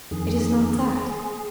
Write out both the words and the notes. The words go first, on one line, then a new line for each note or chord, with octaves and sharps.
"It is not that."
F2 D#3 G#4